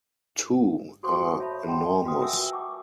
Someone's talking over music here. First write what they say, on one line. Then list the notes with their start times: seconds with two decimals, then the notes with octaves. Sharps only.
Two are enormous.
1.03 F#4 A4 C5 C6 C#6
1.40 C#5 E5 F5 A5 B5
1.66 D#5 F#5 G5 A5 C6
2.05 F4 F#4 B4 G5 D#6
2.20 A#4 B4 E5 F#5 G#5 E6
2.50 F#5 A5 C#6 D6